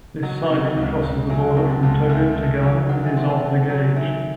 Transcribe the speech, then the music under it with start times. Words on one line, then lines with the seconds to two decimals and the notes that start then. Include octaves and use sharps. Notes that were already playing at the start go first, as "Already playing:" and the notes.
This siding crosses the border from Togo to Ghana and is of the gauge.
0.23 F#3 D#5 F#5
0.50 C3
0.77 C#2
1.03 C#2
1.29 F#3 E5 G#5
1.51 C6
1.56 C3 F#5 A5
1.83 C#2 F#5 A5
2.09 C#2 E5 G#5
2.36 A3
2.63 F#3
2.89 D#3 D#5 F#5
3.03 E5 G#5
3.17 C4 E5 G#5
3.30 F#5 A5
3.44 A3
3.70 F#3
3.96 D#3 E5 G#5